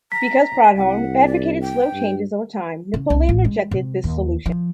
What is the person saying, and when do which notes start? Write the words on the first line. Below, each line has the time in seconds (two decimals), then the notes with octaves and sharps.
Because Proudhon advocated slow changes over time, Napoleon rejected this solution.
0.12 A#5 B6
0.77 C2 F#5
1.26 D5
1.61 G5
1.93 G2
2.94 C#3
3.10 C2
3.29 A1
3.45 G#3
3.71 C3
4.04 D#2
4.46 F3